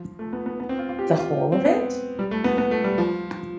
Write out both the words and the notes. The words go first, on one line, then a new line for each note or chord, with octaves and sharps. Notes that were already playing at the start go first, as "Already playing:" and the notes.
The whole of it?
Already playing: F3
A3
B3
B3
B3
C4
F4
F4
G4
F4
C4
B3
G3
A3
B3
B3
A3
G3
F3